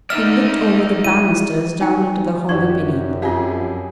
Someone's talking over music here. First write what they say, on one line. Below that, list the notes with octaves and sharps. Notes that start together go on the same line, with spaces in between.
He looked over the banisters down into the hollow beneath.
D#4 D5 E5 F6
E4 D#7
D#4 G5 G#5
F#2 D#3 F#4 G4 D5 C#6 G#6
F2 F4 G4 G#4 F5